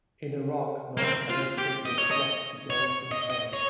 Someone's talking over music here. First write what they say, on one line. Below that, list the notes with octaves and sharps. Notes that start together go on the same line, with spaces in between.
In Iraq, non-Arab settlers flocked to garrison towns.
A#3
C4
F4
G4
D#5
C#5
D#5
C#5
D#5
D#5
C#5